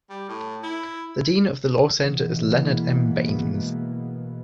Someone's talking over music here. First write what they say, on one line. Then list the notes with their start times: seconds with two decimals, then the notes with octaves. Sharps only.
The dean of the Law Center is Leonard M. Baynes.
0.10 G3
0.29 A2
0.63 E4
1.98 B2 E3 G#3 A#3 B3